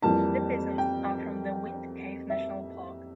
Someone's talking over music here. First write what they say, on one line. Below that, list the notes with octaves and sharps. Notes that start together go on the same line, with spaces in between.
The bison are from the Wind Cave National Park.
F2 E3 G3 A#3 A5
G5
E5